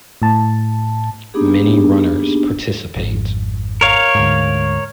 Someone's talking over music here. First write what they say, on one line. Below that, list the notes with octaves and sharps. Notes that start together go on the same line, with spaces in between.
Many runners participate.
A2 A5
A#3 B3 D4 D#4 G4 G#4
G#1 F2
A#4 C#5 F5
D2 G#2